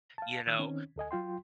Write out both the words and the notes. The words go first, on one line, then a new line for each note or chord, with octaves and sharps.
you know,
F5 A5
D#3 E6
D#3 C4 C#4
D2 A4 D#5 G#5
F#3 F4 G5 C6